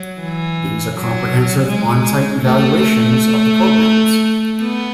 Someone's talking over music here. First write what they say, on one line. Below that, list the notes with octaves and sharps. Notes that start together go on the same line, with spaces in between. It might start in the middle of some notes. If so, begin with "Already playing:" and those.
These are comprehensive on-site evaluations of the programs.
Already playing: F#3
E3
F#3
G#3
A3
B3